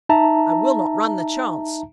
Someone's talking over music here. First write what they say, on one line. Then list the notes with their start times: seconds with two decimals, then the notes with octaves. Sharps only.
'I will not run the chance.
0.09 D#4 E5 A5 A#5